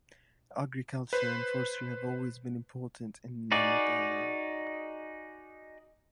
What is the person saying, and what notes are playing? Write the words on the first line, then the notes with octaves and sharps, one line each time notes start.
Agriculture and forestry have always been important in Namdalen.
B4 C5
D#4 F#4 G#4 D5